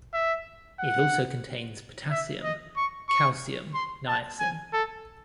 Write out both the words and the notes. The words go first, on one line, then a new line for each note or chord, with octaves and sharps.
It also contains potassium, calcium, niacin.
E5
F#5
E5
D#5
C#6
C#6
C6
A5
G#5
A4